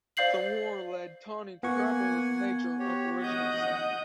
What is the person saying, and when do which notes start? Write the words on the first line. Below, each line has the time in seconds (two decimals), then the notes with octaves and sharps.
The war led Tawney to grapple with the nature of original sin.
0.17 C5 D5 F5 G6 C7 F#7
1.63 A#3 B3 F#5 G#5 C#6
2.79 F#4 G4 C#5
3.23 D#5 F#5 D#6 G6